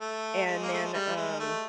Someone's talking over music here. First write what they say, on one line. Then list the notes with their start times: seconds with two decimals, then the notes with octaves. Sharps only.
and then, um,
0.01 A3
0.46 G#3
0.63 A#3
0.73 A3
0.83 G#3
0.94 G3
1.16 G#3
1.40 A3